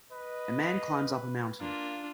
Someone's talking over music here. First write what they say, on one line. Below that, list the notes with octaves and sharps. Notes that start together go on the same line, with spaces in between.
A man climbs up a mountain.
B4 D#5
A#3 D4 F4